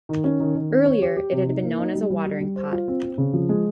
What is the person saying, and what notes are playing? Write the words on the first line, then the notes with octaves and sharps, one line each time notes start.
Earlier, it had been known as a "watering pot".
D#3
C#4
D#3
D#3
C4
C#5
G4
G4
C3
D#4
A#3
D#4
G3
G3
G3
G3
C5
F4
C4
C4
C#3
F3
G#3